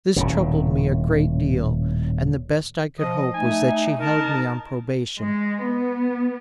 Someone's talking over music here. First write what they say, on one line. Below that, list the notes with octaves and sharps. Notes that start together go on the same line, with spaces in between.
This troubled me a great deal, and the best I could hope was that she held me on probation.
D#1 A2 C#3
F3 D#5
A3 D#4 G#5
D#4 A#4 A5
G#3
B3